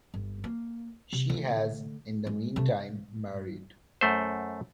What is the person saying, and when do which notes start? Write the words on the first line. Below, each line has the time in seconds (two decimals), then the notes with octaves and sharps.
She has, in the meantime, married.
0.14 G1
0.44 A#3
1.13 C3
1.30 D3 A3
2.27 G#3
2.56 C3 A3
4.01 F#2 A3 C5